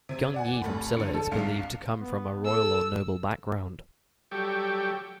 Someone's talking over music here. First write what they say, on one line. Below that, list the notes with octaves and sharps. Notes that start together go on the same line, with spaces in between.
Gung Ye from Silla is believed to come from a royal or noble background.
C3 G#6
D5 F#5 G#5
F1 A3 B5
A#1 D3 C#7
A4
C2 G2 F5 C#7
B3
A4 E6
F#3 G3 G4 A4 G5 C#6